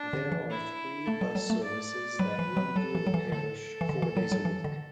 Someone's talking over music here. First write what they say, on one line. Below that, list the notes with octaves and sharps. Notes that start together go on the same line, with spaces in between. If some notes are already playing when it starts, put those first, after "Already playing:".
There are three bus services that run through the parish, four days a week.
Already playing: D4
D3
E3
E4
A3 A4
F#3
F#3
A3
D5
F#3 B4
E3
F#3
F#3 A4
E3
F#3
E3
D3 A4
E3
D3
E3
F#3
F#3
E3
D3